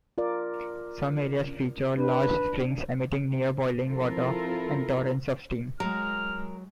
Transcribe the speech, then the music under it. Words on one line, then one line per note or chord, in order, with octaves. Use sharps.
Some areas feature large springs emitting near-boiling water and torrents of steam.
F4 A#4 D5
D4 B4
F3 C4 E4 F4 A4 A#4
F#3 G#3 A#4 F6